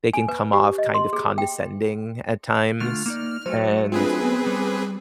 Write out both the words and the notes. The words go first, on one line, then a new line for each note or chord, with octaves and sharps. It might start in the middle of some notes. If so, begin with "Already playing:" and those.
they can come off kind of condescending at times, and
G#5
B4
G4
D#5
C6
G#4
G5
D3 A3 F4 F6
A#3 D#4 D5
F#3 A3 C5
C4 D4 F4 G#4 B4
B3 G#5
G3